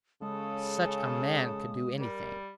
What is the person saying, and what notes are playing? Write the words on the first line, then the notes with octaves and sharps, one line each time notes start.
Such a man could do anything.
C#3 G#3 A4 D#6
G3 A#4